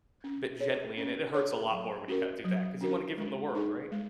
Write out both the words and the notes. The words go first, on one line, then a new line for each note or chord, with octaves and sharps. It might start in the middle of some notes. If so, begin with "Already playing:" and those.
a bit gently, and it it hurts a lot more when you gotta do that, 'cause you wanna give them the world, right?
C#4
G#4 C#5
C#4
G#4 C#5
F#3
C#4 F#4 A#4
F#3
C#4 F#4 A#4
G#3
D#4 G#4
G#3